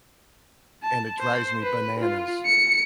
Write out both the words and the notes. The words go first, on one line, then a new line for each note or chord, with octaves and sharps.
and it drives me bananas.
A5
C5
B4
F4
C#7